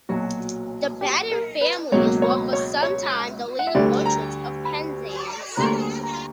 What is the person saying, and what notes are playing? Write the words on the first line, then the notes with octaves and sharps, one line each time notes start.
The Batten family were for some time the leading merchants of Penzance.
B1 A#2 F#3 F#4
G4
A#4
B4
C#2 B2 F#3 A#3 C#5
C#5
C#5
C#5
F#5
E5
D2 D3 G3 D5
A#5
B5
D2 D3 G3 A#3 A#5
A#5